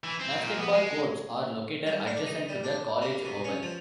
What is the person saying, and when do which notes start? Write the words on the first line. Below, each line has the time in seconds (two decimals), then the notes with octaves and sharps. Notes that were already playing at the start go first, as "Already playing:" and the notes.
Basketball courts are located adjacent to the College Oval.
0.04 E3
0.20 C4
0.36 A#2
0.58 B3
0.73 G#3
1.86 G3
2.07 D4
2.27 D#4
2.49 G3
2.64 D4
3.02 A#3
3.25 B2
3.44 C#4
3.63 F3